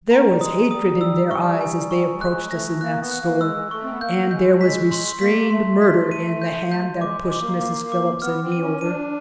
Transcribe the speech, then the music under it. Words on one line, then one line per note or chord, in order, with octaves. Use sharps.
There was hatred in their eyes as they approached us in that store, and there was restrained murder in the hand that pushed Mrs. Phillips and me over.
A#5
G3
G#3 D#6
G3 D#6
E6
C#6
G#5
C#6
G3
G#3 F#6
A3 A#6
A#3 F#6
B3
F#6
A#3
G#3 E6
A3 C#6
C4
B3
A#3 G6
G#3 G6
B6
C6
A#3 B6
A3 C6
B6
D#7
G6
G6
G3
G#3 D6
G#3
D6
A#3
D6
D6
B3 F6
C4
D#7
C#4
D4 D#7